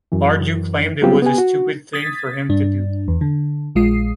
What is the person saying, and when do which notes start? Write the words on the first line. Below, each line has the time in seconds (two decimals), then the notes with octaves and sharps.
Pardew claimed It was a stupid thing for him to do.
0.12 F#2 E3
1.02 F#3 G3 B3 C4 F4 G4
1.22 B3 G4 G#5
1.38 F#4
1.93 D#6 G#6 A6 B6
2.49 G2 D4
3.08 E2
3.21 D3
3.75 A#1 G#3 F4 D#6 C7